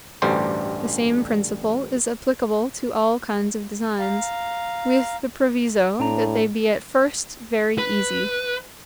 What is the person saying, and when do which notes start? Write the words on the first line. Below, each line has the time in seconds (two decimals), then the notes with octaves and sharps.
The same principle is applicable to all kinds of designs, with the proviso that they be at first very easy.
0.22 A1 D2 G2 D3 G3 C5
4.00 F5 A#5
6.00 A2 D4 A#5
7.78 B4